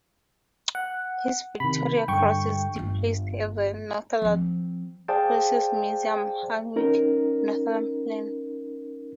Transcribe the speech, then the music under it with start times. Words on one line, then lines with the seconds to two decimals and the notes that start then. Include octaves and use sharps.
His Victoria Cross is displayed at the Northumberland Fusiliers Museum, Alnwick, Northumberland.
0.75 F#5
1.60 C3 D#3 B5
2.08 G2 D3 G5 C#6
2.76 G1 F4
4.22 F3 C4
5.08 G#4 C5 D5 F5 G5 A5
6.76 C#4 D#4 A#4